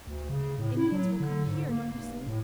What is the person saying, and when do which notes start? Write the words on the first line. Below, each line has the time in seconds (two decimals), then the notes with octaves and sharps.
The Indians will come HERE, don't you see?
0.07 D2
0.29 C#3
0.58 A2
0.77 E4
0.92 F#3
1.20 D3
1.47 G#2
1.69 A#3
1.92 F1
2.27 A2